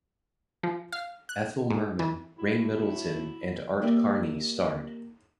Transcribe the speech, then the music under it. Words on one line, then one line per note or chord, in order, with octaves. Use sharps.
Ethel Merman, Ray Middleton, and Art Carney starred.
F3
F5
F#6
G#2
E3
A2 E4 F#4
A#3 G4 D5 E5